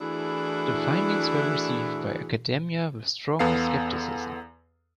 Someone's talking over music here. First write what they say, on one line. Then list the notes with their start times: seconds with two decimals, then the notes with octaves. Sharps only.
The findings were received by academia with strong skepticism.
0.01 E3 A3 D4 E4 F#4 G#4
3.39 E2 B3 A4 F5 C7